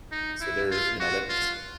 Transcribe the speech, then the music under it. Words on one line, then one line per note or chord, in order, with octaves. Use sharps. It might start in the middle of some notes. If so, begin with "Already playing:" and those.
So they're you know, that's
D#4
E4
F4
F#4
F4